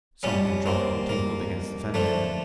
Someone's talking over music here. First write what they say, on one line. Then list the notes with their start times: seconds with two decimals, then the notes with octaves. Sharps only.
Something dropped and tinkled against the fender.
0.23 B2 G3 B3 C#4
0.66 A#3 C4
1.09 A#3
1.94 D3 F3 A3